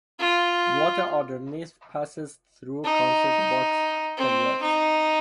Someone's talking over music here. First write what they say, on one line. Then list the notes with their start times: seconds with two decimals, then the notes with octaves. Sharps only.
Water underneath passes through concrete box culverts.
0.19 F4
2.84 D#4
4.17 C4
4.62 D#4